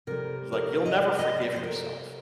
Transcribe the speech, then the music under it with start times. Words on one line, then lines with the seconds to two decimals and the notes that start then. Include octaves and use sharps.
like, "You'll never forgive yourself,"
0.07 C3 G3 A#4
0.52 A#4
0.86 D#5
0.97 D5
1.19 D#5
1.41 D5
1.56 C5
1.63 A#4